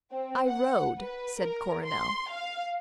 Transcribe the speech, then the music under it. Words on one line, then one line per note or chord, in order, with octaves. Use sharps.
"I rode," said Coronel.
C4
F#5
B4
A#4
C6
F5